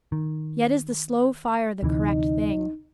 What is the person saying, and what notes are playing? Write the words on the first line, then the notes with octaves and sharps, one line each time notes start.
Yet is the slow fire the correct thing.
D#3
D2 C3 E3 D#4